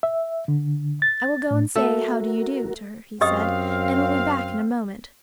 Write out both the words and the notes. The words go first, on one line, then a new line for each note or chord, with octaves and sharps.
"I will go and say 'How do you do?' to her," he said, "and will be back in a moment."
E5
D3
A6
A2
A3 F#4 A4 A#4
F#2 C4 G4 D#5 F5 D#6